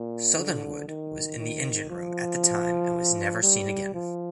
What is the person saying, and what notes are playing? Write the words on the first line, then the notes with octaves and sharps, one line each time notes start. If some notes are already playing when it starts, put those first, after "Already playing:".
Southernwood was in the engine room at the time and was never seen again.
Already playing: A#2
D3
D#3
D#3
F3
G3
F3